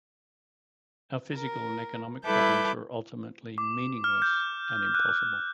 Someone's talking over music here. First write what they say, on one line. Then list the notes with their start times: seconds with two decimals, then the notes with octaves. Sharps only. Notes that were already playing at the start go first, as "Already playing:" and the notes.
Our physical and economic problems are ultimately meaningless and impossible.
1.33 A#4
2.25 G3 E4 A4 B4 D6 G6
3.58 D6
4.04 F6
4.22 G6
4.95 F#6